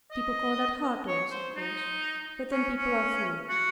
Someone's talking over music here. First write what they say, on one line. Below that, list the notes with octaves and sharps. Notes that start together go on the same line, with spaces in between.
People call that heartless, of course; but then people are fools.
D#5
C#5
C5
D#4
C#4
C#4
F#4